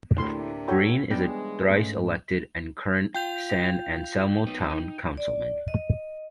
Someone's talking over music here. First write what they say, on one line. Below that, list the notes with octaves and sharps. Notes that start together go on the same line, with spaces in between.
Greene is a thrice-elected and current San Anselmo town councilman.
D2 A2 C3 A#3 D4 E4 A4 C6
F#4 A4 C#5 G5
C#3 E3 G3 G#3 B3 D4 G5
G#2 A3 C#4
F4 G5 G6 F7
B3 D#4
D#4
D5
D#5